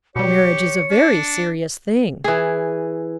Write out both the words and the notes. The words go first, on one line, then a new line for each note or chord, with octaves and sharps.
"Marriage is a very serious thing."
B2 G3 G4 C#5 C#7
D4
E3 G#4